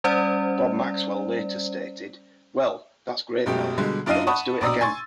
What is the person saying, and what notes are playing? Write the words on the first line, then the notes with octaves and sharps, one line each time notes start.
Bob Maxwell later stated, Well, that's great, Mel, but let's do it again.
G3 C#4 C5 D5
F#2 B2 G#3 A3 G4
B2 D3 G3 G#3
F#2 D4 E4 D#5 F5 D#7
F#5 A5 B5 C#6 D#6
A#1 B2 D5 A#5 D#6 E6
G#5 C6 C#6 A6